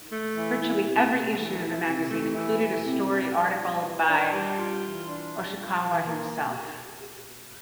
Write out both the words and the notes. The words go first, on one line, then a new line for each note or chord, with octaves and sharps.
Virtually every issue of the magazine included a story or article by Oshikawa himself.
A3
E3
E4
C3
A3
E3
E4
C3
A3
E3
E4
C3
D4
G3
F4
E3
D4
G3
F4
E3
D4
G3
F4
E3
A#3